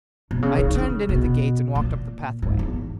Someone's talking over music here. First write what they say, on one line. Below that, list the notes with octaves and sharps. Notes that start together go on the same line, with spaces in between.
I turned in at the gate, and walked up the pathway.
B2
C#3
D#3
D#3
C#3
B2
A#2
G#2
E2